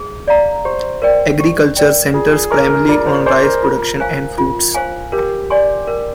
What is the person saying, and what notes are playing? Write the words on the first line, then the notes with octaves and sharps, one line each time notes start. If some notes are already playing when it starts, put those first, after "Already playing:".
Agriculture centers primarily on rice production and fruits.
Already playing: G#4
D5 F5 A#5
G4 C5
A#4 D5 G5
G4
A#4 D5 G5
F4 G#4
G#4
G#4 A#4 D#5 G#5 C6
A#4
F4 D5
C5
G#4 C5 D#5 G#5 C6
A#4
F4
C5 F5 G#5
F4
C5 F5 G#5
G4 A#4
D5 G#5 C6
A#4